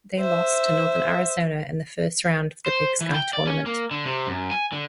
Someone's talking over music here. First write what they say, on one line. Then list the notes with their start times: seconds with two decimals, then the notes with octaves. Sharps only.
They lost to Northern Arizona in the first round of the Big Sky Tournament.
0.19 C5 E5
2.66 C5
3.01 E3
3.14 G5
3.33 D5
3.47 C#4
3.66 A#3
3.91 D3
4.06 C3
4.27 F#2
4.51 G#5
4.72 D3